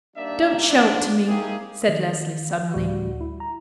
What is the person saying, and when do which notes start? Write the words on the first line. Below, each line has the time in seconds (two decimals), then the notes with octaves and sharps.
"Don't show it to me," said Leslie suddenly.
0.16 G3 A#3 D4 D#4 D5 E5
0.68 D3 D#3 F3 D4
1.27 A#3 C4 D#4 E4 G4 G#4
1.89 D#3
2.74 D2 A2 G3 F#4
3.21 E4
3.40 A#5